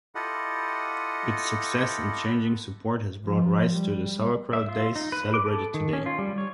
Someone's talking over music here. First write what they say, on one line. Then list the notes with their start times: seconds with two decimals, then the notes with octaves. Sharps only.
Its success in changing support has brought rise to the Sauerkraut Days celebrated today.
0.15 E4 F4 G4 A4 D#5 F#5
3.24 F3
3.71 G3
4.53 E5
4.69 F4
4.96 D#4
5.12 B4
5.34 D6
5.46 A4
5.74 D#3
5.93 C#4
6.06 F4
6.19 G3
6.38 C#5